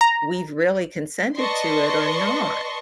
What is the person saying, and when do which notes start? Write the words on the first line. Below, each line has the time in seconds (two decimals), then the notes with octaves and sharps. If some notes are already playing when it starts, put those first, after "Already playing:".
we've really consented to it or not.
0.01 A#5
1.37 B4 D5 D#5 A5 C6 C#6